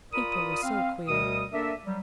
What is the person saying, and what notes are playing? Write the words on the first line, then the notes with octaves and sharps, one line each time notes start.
People were so queer.
F4 A#4 D5 B5 D#6
C4 F5
D2 B2 G3 A#4 D#6
A#3 D4 A4 A#4 E5
F#3 G3